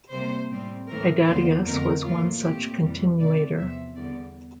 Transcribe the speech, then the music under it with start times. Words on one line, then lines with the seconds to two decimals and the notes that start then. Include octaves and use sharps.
Hydatius was one such continuator.
0.11 C3 G3 A#3 C5
0.50 A2 G3 C4
0.88 A2 E3 A3 C4 A#4
1.27 E2 D3 F3 A#3 C5
1.65 F2 D3 A3 C4 A#4
2.03 A2 E3 A#3 F4
2.42 A#2 A3 C4 G4
2.80 F2 C3 E3 G3
3.18 C3 E3 A3 C4 D5
3.57 E2 C3 F3 E5
3.95 E2 D3 G3 D5